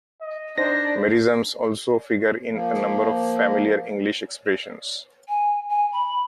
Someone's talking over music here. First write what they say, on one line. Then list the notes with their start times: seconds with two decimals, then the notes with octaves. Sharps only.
Merisms also figure in a number of familiar English expressions.
0.21 D#5
0.58 D4 D#4 C5 A#6
2.52 F3 A#3
5.29 G#5
5.69 G#5
5.92 B5